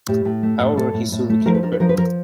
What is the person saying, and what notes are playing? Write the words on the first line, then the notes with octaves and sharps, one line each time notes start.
However, he soon became a critic.
A2 G4
A2
A3
A2
A2 A4
A2
A2
A3
F3 A#4
B4
D4 A#4
B4
F3 A#4
B4
F3 A#4